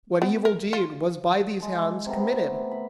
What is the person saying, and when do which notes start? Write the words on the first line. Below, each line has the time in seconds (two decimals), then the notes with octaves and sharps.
What evil deed Was by these hands committed?
0.22 B3
0.45 A#4
0.73 F4
1.60 G#3 A4
2.06 C3 A3 B3 A#4
2.71 B5